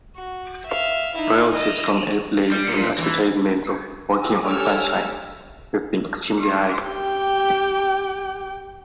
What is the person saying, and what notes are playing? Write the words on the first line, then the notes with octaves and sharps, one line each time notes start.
Royalties from airplay and advertisements of "Walking on Sunshine" have been extremely high.
F#4
E5 F5
D#4 E4
D#5
G3
A#2
E3
G4 A4 C#5 G#5 E6 F6
G4 G5